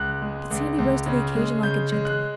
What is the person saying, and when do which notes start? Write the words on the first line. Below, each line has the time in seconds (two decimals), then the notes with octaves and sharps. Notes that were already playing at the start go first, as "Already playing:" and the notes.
But Sandy rose to the occasion like a gentleman.
Already playing: C#2 F#6
0.22 G#3
0.51 C#2
0.78 C#2
1.06 C#3
1.35 G#3
1.63 C#3 G6
1.92 G#3
2.05 F#6